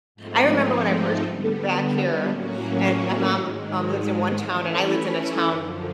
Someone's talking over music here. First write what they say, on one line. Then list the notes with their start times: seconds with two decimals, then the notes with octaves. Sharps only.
I remember when I first moved back here and my mom, um, lives in one town and I lived in a town,
0.15 G#2 F3 A3 C4 D#4
1.21 D3 G3 B3
2.28 A2 F#3 A#3 C#4 F#4
3.33 G#2 D#3 G#3
4.39 E3 A3 C#4 E4
5.46 F#2 D3 F3